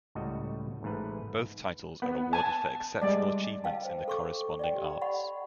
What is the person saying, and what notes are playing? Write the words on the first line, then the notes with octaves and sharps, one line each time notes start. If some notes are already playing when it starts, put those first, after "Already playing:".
Both titles are awarded for exceptional achievements in the corresponding arts.
C#2 A2 G3 F#4 D#5 A5
A1 G#2 A3 B4
B3
G#5 A5
G3 G#3 D5
B4 D#5 F5 G5 A5
C5
A4 C#6 D6
D5 D#5 G5
G4
D5 D#5 F#5 B5 C#6